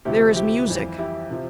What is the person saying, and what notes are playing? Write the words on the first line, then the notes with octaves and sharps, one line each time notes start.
There is music.
D2 C3 F3 E4 G4
E4 G4
F2 E3 G3
E4 G4
C3 F3